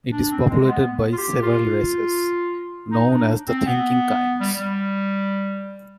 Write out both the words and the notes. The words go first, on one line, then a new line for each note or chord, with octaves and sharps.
It is populated by several races, known as the "Thinking Kinds".
D4
C4
G#3
G#3
B3
F4
G4
F4
D#4
D4
C4
B3
G3
G3